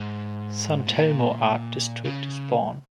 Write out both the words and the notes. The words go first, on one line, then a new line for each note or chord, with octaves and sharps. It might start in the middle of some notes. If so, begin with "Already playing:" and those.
San Telmo Art District is born.
Already playing: G#2
A#2
C#3